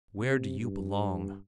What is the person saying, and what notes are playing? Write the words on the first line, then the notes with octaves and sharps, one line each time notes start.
Where do you belong?
C3
G2